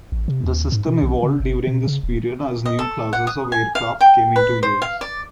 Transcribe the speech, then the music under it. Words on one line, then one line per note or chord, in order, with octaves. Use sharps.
The system evolved during this period as new classes of aircraft came into use.
A1
C3
D#2
G#2
B2
B1
C#3
G1
B2
C#3
D1
D#5
A4
F#5
D#6
G#5
F5
G5
B4
C5
F5
D5